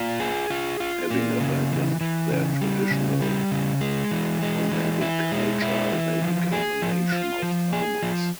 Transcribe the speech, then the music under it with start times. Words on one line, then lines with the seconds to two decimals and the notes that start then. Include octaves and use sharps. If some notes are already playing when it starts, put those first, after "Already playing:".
Having abandoned their traditional nomadic culture, they became a nation of farmers.
Already playing: A#3 F4
0.20 G#4
0.50 F4
0.80 F4
1.10 A#3
1.40 C#3
1.71 E3
2.01 E3
2.31 C#3
2.61 G3
2.91 C#3
3.21 G3
3.51 C#3
3.81 G#3
4.11 E3
4.42 G#3
4.72 E3
5.01 E4
5.32 G#3
5.62 E4
5.92 E3
6.22 F3
6.52 G#4
6.82 F3
7.12 F4
7.43 F3
7.73 G#4
8.03 F3